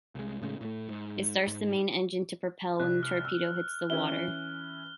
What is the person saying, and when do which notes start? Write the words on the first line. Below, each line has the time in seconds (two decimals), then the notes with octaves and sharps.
It starts the main engine to propel when the torpedo hits the water.
0.15 C2 G#3
0.42 A2 C#3 G#3
0.61 A2 A3
0.89 G#2
1.47 G#2
2.80 C2 F#6
3.03 F6
3.25 E6
3.90 E3 C#4 E4 G7